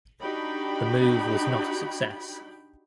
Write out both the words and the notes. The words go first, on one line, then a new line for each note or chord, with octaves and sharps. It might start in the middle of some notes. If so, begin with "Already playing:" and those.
The move was not a success.
D4 D#4 F#4 G4 G5 B5